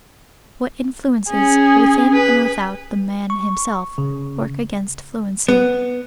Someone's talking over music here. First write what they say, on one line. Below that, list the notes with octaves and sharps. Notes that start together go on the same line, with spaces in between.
What influences, within and without the man himself, work against fluency?
C#4 G#4
B4
C#6
C#3
B3